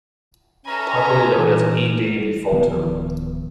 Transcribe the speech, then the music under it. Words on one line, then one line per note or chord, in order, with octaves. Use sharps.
Popularly known as E. Davie Fulton.
C#4 A4 B4 E5 G#5 A#5
A#2 E3 D#4
D1 D#3 F3 B3